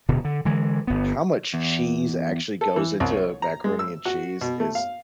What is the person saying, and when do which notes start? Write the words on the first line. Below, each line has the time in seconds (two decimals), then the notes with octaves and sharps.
how much cheese actually goes into macaroni and cheese is
0.09 D1 B2 D3
0.25 D3
0.45 D3 E3 G#3
0.87 G1 B3
1.54 E2
2.61 A4
2.76 E3
3.00 C2
3.12 C#5
3.42 A#5
3.64 G#3
3.79 E6
4.05 F#4
4.41 B2
4.60 A3
4.75 F5